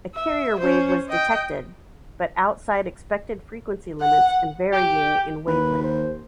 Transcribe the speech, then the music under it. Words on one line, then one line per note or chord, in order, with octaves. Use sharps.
A carrier wave was detected, but outside expected frequency limits and varying in wavelength.
E5
C#4 C5
D#5 G5
F#5
G4
D#2 B4
C5